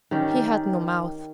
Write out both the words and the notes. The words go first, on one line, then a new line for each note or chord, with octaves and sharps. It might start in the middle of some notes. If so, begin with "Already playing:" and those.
He had no mouth.
D#3 C#4 G4 D5